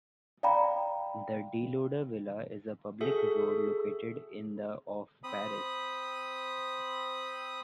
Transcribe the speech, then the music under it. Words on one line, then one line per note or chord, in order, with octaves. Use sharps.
The Deloder villa is a public road located in the of Paris.
D5 F5 G5 A#5 B5
F#4 G#4 A4 E5
C4 B5 D#6